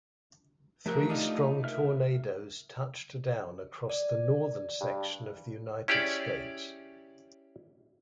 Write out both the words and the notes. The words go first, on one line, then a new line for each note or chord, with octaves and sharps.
Three strong tornadoes touched down across the northern section of the United States.
C2 F3 A3 G4 A#4 F#6
D4 D#4 F4
A#4 E5 F6
D5
G2
C#4 E4 G4 G#4 C#5 D5